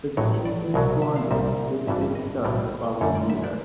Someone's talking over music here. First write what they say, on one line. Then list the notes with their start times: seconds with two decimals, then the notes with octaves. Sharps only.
But the team squandered this good start the following year.
0.17 A1 A2 F#3 C#5
0.45 D5
0.74 C2 B2 F#3
1.02 E5
1.16 F5
1.31 C2 A#2 G3 E5
1.87 G#1 G2 E3 G3 E5
2.01 E5
2.15 D#5
2.44 B1 A2 E3 G3 D5
3.01 F#2 D3 G3 C#5
3.15 D5
3.30 E5
3.44 D5